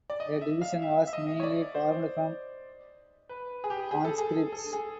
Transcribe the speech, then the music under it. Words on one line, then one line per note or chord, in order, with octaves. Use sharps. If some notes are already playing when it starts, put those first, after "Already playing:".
The division was mainly formed from conscripts.
D5
D#5
E5
F5
E5
E5
D#5
C#5
D5
C5
B4
G#4
G4
G#4
A4
G#4
A4
G#4